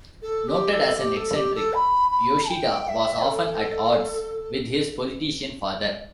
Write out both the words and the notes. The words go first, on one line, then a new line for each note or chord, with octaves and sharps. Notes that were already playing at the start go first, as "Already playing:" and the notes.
Noted as an eccentric, Yoshida was often at odds with his politician father.
A4
G4
A4
G4
A4
G4
A4
B5
B5
G5
E5
A4